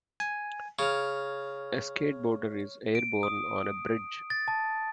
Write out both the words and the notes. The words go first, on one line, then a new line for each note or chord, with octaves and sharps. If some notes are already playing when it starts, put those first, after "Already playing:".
A skateboarder is airborne on a bridge.
G#5
C#3 C#5 F6
D7
D#6
A6
A5